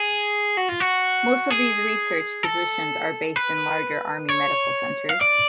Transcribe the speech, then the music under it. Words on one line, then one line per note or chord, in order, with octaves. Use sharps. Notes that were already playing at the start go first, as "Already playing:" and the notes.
Most of these research Physicians are based in larger Army Medical Centers.
Already playing: G#4
F#4
F4
F#4
G#4
A4
B4
C#5
F5
D5